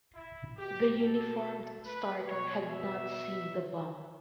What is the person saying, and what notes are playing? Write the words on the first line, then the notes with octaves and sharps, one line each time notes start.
The uniformed starter had not seen the bum.
E4
B2 G4
A4
B4
B2 C#5
E5